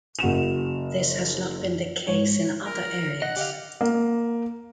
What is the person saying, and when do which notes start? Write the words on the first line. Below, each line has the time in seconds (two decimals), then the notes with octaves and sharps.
This has not been the case in other areas.
0.19 F#1 F#4 E7 F7
2.07 G#2 C#5
2.66 A#4
3.22 D#5 F#5
3.36 G4 D#5 F5
3.81 A#3